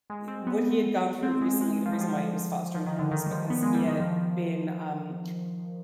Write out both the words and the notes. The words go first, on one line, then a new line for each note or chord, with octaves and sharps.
eh, what he had gone through recently, the reason why he was fostering him was because he had been, um
G#3
C4
B3
C4
G#3
G#3
F3
G3
F3
F3
D#3
D3
D#3
G3
F3
B3
G#3
G3
D#3
F3